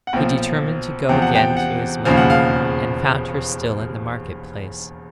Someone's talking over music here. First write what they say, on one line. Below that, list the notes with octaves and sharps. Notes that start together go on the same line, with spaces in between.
He determined to go again to his mother, and found her still in the market-place.
F#5
B1 A#2 F3 G5
E2 C3 F3 G5
F#5
G5
F#5
E1 D#2 C#3 F3 F5
F#5
F5